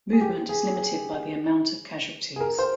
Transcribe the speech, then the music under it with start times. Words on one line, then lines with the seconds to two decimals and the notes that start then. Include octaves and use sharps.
Movement is limited by the amount of casualties.
0.13 G#4
0.21 G4
0.49 G#4
0.76 G#4
2.36 G#4
2.40 A#4
2.59 C5